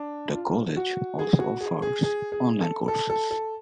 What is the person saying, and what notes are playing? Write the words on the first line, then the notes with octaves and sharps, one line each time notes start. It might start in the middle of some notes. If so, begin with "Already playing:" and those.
The college also offers online courses.
Already playing: D4
F4
F#4
G#4
F#4
G#4
G#4
G#4
G#4
A4
A4
A4
A4